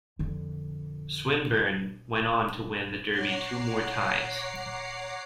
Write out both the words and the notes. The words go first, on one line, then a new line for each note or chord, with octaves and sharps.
Swinburn went on to win the Derby two more times.
F2 D3
C#5 F#5 A#5 D6 C7